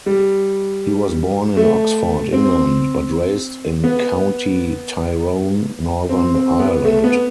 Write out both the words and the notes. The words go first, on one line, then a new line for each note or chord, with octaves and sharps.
He was born in Oxford, England, but raised in County Tyrone, Northern Ireland.
G3
A3
C4
B3
C4
C4
B3
A3
B3